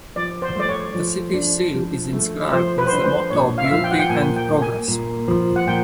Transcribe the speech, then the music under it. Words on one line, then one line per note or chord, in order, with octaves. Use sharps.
The city seal is inscribed with the motto "Beauty and Progress".
F3 D5
C5
A3 D5
C#5
F3
D4
F3
A3
F3 C5
B4
C5
D4 B4
C5
A#2 C#5
F5
E5
F3 F5
G5
F#5
G5
A#2 G#5
G5
A#3
G#5
A#2
F3
F#5
A#2 G5